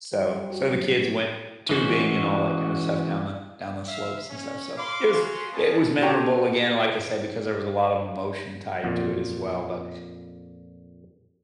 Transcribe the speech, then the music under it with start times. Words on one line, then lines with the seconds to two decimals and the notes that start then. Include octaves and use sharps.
So so the kids went tubing and all that kind of stuff down the down the slopes and stuff, so it was it was memorable again, like I said, because there was a lot of emotion tied to it as well, but
0.16 G3
0.50 F#4
0.71 F#3
1.69 E3 G#3 C#4 F#4 C5
3.87 E5 F5
4.29 C#4
4.77 F5 B5 C6 D6
5.12 F#4 G#4 F5 C6
5.53 B3 C#4 A5
6.02 F#4 G4 A4 C#5 G5 A#5
8.84 F2 A#2